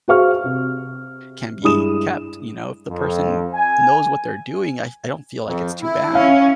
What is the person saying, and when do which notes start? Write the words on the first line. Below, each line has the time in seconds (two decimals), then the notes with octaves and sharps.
can be kept, you know if the person knows what they're doing, I f I don't feel like it's too bad,
0.08 F#4 G#4 C5 F5 C#6 F6
0.44 C3
1.62 G2 G#3 E4 D#6 E7
2.89 F2
3.55 G#5
5.45 F2
5.82 E4
6.15 C#4 F5